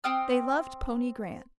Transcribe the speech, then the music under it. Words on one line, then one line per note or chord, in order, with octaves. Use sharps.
They loved pony Grant.
C4 G5 D#6 F6